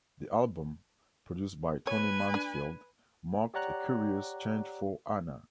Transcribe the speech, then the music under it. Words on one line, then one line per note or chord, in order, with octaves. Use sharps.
The album, produced by Tony Mansfield, marked a curious change for Ana.
B4 C#5 G#5
D4
G4 C#5 D5 F#5 A#5 F#6